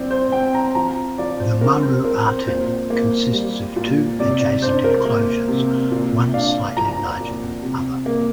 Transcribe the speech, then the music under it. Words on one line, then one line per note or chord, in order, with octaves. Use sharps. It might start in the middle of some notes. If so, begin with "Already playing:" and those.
The Maru-Aten consists of two adjacent enclosures, one slightly larger than the other.
Already playing: F3 C4 C5 D5
C5
C4 G5
A#5
F3 A#5
F3 D5
C5
C4 A#4
C5
C4 A#4
C5
A#2 C5
A#3
G3
A#2
C3 D5
D5
D4 C5
A#4
A#3
C3
A#2
D4 F5
F3 A#5
A#2
C3
A#3